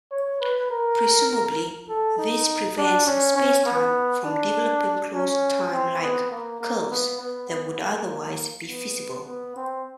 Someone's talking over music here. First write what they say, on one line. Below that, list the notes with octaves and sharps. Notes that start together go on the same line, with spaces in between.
Presumably, this prevents spacetime from developing closed time-like curves that would otherwise be feasible.
C#5
B4
A#4
A4
D#4
D4
C#4
C#4
B3
D4
C#4
C4
B3
A#3
A#3
B3
B3
B3
A#3
B3
B3
C4